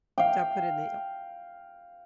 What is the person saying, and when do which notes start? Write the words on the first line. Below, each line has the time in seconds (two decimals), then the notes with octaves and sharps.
So I'll put in the oh.
0.18 F5 G5